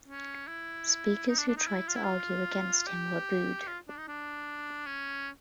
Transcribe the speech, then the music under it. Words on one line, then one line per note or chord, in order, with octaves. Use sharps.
Speakers who tried to argue against him were booed.
C#4
E4
D#4
D4
D4
D#4
E4
F4
E4
F4
G4
F4
D4
D#4
D4
C#4